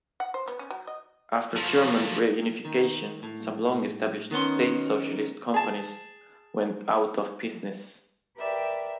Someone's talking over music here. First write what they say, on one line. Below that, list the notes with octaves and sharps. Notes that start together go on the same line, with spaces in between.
After German reunification some long-established state socialist companies went out of business.
F#5
C5
B3
C#4
F#3
D#5
F3 F#3
D#3
A2
D#3 B3 C#4 C6
G#4 A5
G4 A#4 B4 D5 E5 G5